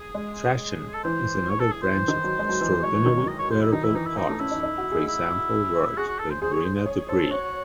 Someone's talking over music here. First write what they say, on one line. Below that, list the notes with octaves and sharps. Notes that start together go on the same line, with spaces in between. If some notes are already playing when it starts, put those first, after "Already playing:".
Trashion is another branch of extraordinary wearable art, for example, work by Marina DeBris.
Already playing: G#4
G#3
A4
E3 C5
C#5
A4
G#4
C5
E3
D#3
F#3
G#3
F#3
E3
E3
G#3 C#5
E3
D#3
F#3
D#5
C#5
C5
E4
D#3 D#4
E3 E4
E3 D#4
E4
D#4
A3
C#4 E4
D#4
D#4
F#4
G#4
E4
F#4 G#4
F#4
A4
C5
G#4 C5
G#4 C#5
C5
C5
G#4 C#5
A4 C5
F#4 C#5